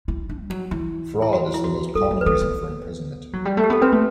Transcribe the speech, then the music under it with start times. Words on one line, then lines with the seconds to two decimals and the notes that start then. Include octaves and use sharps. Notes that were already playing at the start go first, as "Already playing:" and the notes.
Fraud is the most common reason for imprisonment.
0.08 E4
0.29 D4
0.42 G3
0.50 F#3
0.71 E3
1.22 E4
1.33 F#4
1.54 E4
1.64 F#4
1.95 G3 A4
2.11 A3
2.21 B4
2.26 A3 A4
2.41 B3
3.33 F#3
3.45 G3
3.57 A3
3.64 G4
3.70 B3 A4
3.81 C4 B4
3.92 A3